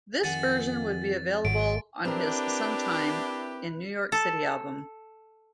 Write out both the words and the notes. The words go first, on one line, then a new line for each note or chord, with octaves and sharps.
This version would be available on his "Some Time in New York City" album.
F2 D#3 F#5 G#5 A6
G#1 F#3 D7
C4 D4 E4 G4 A#4 B4
A4